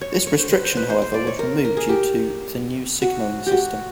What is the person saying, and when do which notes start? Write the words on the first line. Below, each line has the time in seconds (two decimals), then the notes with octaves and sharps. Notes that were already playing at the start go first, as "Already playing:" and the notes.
This restriction however, was removed due to the new signalling system.
0.01 C#5
0.14 C#5
0.27 C#5
0.39 C5
0.52 B4
0.64 C5
0.77 B4
0.90 C5
1.02 C5
1.14 D5
1.27 C#5
1.39 A#4
1.65 A#4
1.77 G#4
1.89 G4
3.02 F#4
3.46 F#4 G4